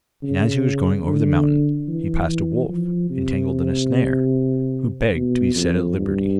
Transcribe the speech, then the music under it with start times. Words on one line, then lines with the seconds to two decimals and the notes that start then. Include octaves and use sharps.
And as he was going over the mountain he passed a wolf entangled in a snare, who begged to be set at liberty.
0.23 C#3
1.06 D3
1.88 E3
2.28 E3
2.69 F3
3.10 C3
5.14 B2
5.55 F2
5.96 G2